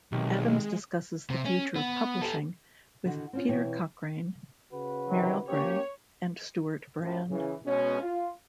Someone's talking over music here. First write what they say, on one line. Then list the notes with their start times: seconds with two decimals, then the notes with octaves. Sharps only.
Adams discusses the future of publishing with Peter Cochrane, Muriel Gray and Stewart Brand.
0.12 B1 C3 D#3 G#3
1.30 C3
1.45 C#4
1.76 B3
2.22 G4 A4
3.05 D3 D#3 F#4
3.33 C4 C#4 F4
3.49 B2 E3 C4 E4 C#5 G5
4.73 C#3 F#4 B4
5.09 C3 D#3 F#3
5.49 A#3 C#4 G4 C#5
7.01 F#2 A2 F3
7.30 C#3 E3
7.65 B2 G#3 C#4
8.01 F4